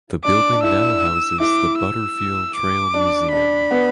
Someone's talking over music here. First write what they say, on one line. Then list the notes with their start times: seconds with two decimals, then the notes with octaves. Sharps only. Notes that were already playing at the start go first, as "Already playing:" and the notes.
The building now houses the Butterfield Trail Museum.
0.24 D4 D6
0.53 D4
0.63 E4 E6
1.40 E4 D6
1.78 E6
2.56 D6
2.94 D4
3.33 D4 B5
3.71 B3